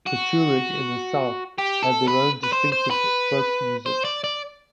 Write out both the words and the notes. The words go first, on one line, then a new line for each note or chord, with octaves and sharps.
The Tuareg in the south have their own distinctive folk music.
F#4
G4
A4
B4
B4
C5
C5
B4
C5
D5
D5